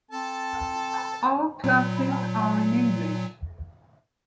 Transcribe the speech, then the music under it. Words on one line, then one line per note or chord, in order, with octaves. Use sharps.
All classes are in English.
C4 A4 A5
A#2 F#3